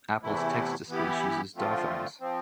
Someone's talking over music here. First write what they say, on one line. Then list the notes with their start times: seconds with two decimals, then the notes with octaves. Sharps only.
Apple's text-to-speech uses diphones.
0.22 E2 C3 E3 A3 E4
0.88 E3 B3 E4 G4
1.55 D3 F3 A3 C4 F4
2.20 F3 C4